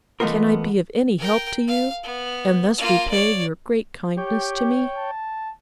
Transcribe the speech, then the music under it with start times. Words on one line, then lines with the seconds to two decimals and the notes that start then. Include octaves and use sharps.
Can I be of any help to you, and thus repay your great kindness to me?'
0.20 E3 G#3 A3 B3 F4 A#4
1.18 A#4 G5
1.67 F5
2.03 B3
2.78 A#3 F4
3.11 C#5 D5
4.17 G4 C#5 G5
4.97 A5